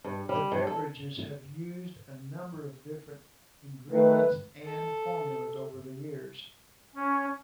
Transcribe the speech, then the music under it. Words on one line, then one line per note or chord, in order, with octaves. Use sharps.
The beverages have used a number of different ingredients and formulas over the years.
G2
G3
G2
A4
D#3 A3 B4
A4
C#4